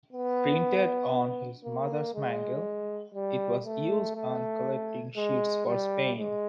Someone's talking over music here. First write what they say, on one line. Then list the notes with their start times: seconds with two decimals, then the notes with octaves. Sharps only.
Printed on his mother's mangle, it was used on collecting sheets for Spain.
0.12 B3
1.64 A#3
2.14 G#3
3.14 G3
3.66 A3
4.16 A3
5.16 G#3
5.67 G3
6.17 G#3